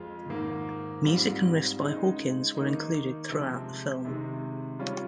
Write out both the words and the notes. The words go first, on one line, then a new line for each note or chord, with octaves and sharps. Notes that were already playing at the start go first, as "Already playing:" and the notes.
Music and riffs by Hawkins were included throughout the film.
Already playing: F2 G#3 C4 F4
G#2 D#3 A#3
G#2 G3 C4 F4
C#3 G#3 D#4
D#3 A#3 D#4
C3 F3 G#3 C4
C3 D#3 G#3
C#3 G3 C#4 F4